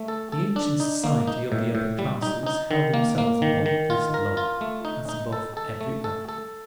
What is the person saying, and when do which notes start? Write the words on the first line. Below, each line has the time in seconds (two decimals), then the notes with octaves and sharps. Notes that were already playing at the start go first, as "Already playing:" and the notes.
The ancient society of the upper classes held themselves above this law, as above every other.
Already playing: A3
0.08 A4
0.32 A4
0.56 D4
0.80 D#4
1.04 A#3
1.27 D#4
1.52 A2
1.75 A2
1.99 G3
2.22 D#4
2.47 D#4
2.71 D#3
2.94 A#3
3.18 A#3
3.42 D#3
3.66 D#3
3.90 F4
4.14 A#4
4.37 F4
4.61 A3
4.85 D#4
5.09 D#4
5.33 A4
5.57 A4
5.81 A3
6.04 A4
6.29 A4